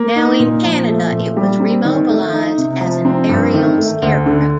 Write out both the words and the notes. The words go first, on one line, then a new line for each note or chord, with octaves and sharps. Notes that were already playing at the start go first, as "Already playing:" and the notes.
Now in Canada it was remobilized as an aerial scarecrow.
Already playing: A#3
D#4
A#2
F3
A3
A#2
G3
C4
D#3
A3
D#4
C3
F3
C4
G2
D#3
A3
D2
D3